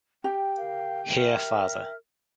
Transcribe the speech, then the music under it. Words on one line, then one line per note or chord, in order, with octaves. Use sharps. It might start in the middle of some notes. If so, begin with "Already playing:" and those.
Here Fr.
G4 G5
A#4 F5
A#4 E5 F6